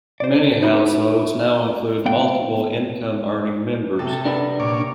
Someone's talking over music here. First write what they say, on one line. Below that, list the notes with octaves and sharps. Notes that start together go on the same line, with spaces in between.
Many households now include multiple income-earning members.
C5 D5
D#4 E4 F#4 A#4 B4 C#5
B3 F5 G5
C3 A4
D4 A#4 B4
A#2 C#5 D6